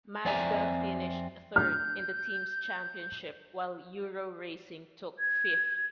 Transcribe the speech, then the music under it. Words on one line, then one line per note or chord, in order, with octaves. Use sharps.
Mazda finished third in the team's championship while Euro Racing took fifth.
F2 C4 D5 E5 G#5 A#5
F6 G6
G#6